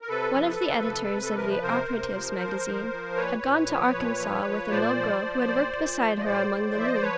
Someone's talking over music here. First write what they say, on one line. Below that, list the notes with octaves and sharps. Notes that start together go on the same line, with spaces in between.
One of the editors of the "Operatives' Magazine" had gone to Arkansas with a mill-girl who had worked beside her among the looms.
A#4
C3 A4 B4
F3
F3
C3
C3
A4
F3 A#4
B4
C3 A#4 C5
C3
F3
F3
F3
F3
A#2 B4 C#5
A#2
F3
A#2
F3
F3
A#2 C5 D5
F3
F3
A#2
A#2
F3
D#5
A2 C5 D5
A2
F3 E5
D#5
D5
F3 B4 C#5